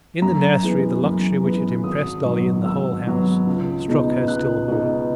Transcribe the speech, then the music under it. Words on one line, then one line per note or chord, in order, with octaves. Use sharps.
In the nursery the luxury which had impressed Dolly in the whole house struck her still more.
F#2 A#5
E3 G#3 B3
F#2
E3 G#3 B3
G#1 D#6
G#2 F#3 B3
G#1 E6
G#2 F#3 B3
C#2
B2 G#3 B3 D#4
C#2 F#6
B2 G#3 B3 D#4